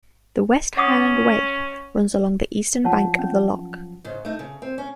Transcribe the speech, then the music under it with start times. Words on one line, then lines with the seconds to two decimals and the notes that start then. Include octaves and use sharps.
The West Highland Way runs along the eastern bank of the loch.
0.77 C#4 F#5 D6 D#6
2.84 F3 F#3 F4 C#5 F#5 A5
3.19 C#4
4.04 G#2 C#3
4.25 A3 D#4
4.39 C#3
4.62 C4
4.78 C#4